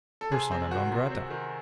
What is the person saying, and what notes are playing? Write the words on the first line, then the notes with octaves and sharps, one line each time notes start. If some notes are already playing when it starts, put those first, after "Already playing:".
Persona non grata.
A4
C3 G#4
C4
D#3 F#4
C3
C4
D#3